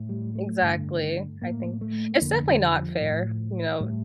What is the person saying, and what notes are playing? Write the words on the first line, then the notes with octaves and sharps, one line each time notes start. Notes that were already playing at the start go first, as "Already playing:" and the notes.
Exactly. I think it's definitely not fair, you know?
Already playing: A2
G3
A3
G2 D3
A2 A#3
A3
C4
F2 D3 A#3
G3
F3
A2
A2 G3